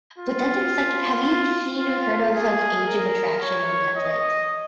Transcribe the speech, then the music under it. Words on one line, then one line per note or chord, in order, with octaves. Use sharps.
but then there's, like, have you seen or heard of, like, Age of Attraction on Netflix?
F4
F4
G#4
A#4
C#5
D#5